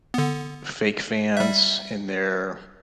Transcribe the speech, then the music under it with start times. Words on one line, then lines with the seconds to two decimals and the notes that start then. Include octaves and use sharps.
fake fans in their
0.14 D3 B3
1.37 G3 E5